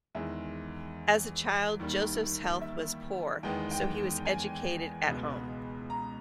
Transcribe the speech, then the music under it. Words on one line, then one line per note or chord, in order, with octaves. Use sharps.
As a child, Joseph's health was poor, so he was educated at home.
E2 D#3 G#3 E5
D#2 D#3 G3
E5
E2 D#3 G#3 B3 G5
G5
G#5
C#2 B2 G#3 B3
A#5